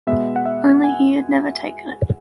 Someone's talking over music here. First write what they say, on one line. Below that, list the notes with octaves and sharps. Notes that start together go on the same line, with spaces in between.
Only he had never taken it.
B2 G#3 B3 E5
F#5
E5
G#5